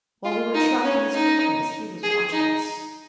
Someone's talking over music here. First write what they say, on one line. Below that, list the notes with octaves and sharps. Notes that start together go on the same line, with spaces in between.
While we were tracking his footprints he was watching us.
F4
D#4
C#4
D#4
G#4
D#4